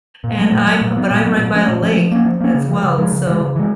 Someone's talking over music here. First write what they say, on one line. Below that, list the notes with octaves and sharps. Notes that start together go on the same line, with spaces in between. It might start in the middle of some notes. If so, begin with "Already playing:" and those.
and I'm but I'm right by a lake as well, so
A#2
F#3 A3
A#2
F#3 A3
A#2
F#3 B3
A#2
F#3 B3
A#2
F3 A3 C#4
A#2
F3 A3 C#4
F3
A#3 C#4
F3
A#3 C#4
C#3
F3 G#3
C#3
F3 G#3
C#3
E3 G#3
C#3
E3 G#3